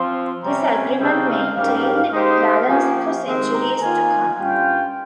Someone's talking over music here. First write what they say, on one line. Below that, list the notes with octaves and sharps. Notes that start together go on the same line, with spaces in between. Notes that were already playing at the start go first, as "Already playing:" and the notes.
This agreement maintained balance for centuries to come.
Already playing: F3 C4 F4 C6
C3 G3 C#4 A#5
G#5
C#3 G3 C4 D#4 G5
F5
G#2 G3 C#4 G4 A#4 F5
F5
G#3 D#4 G4 C5 D#5
F5
F3 A#3 C#4 G4 G#5
D#3 G#3 C4 G4 C5
A#5
D#3 A#3 F4 A#4 G#5
G2 G3 C#4 F4 G5